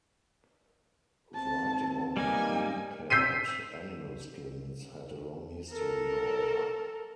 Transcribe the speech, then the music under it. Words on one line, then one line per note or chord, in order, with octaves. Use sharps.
Writing on prepared animal skins had a long history, however.
B3 C4 A5
G3 A#3 D#4 G#5
E6 G6 B6 C7 D#7
A4 A#4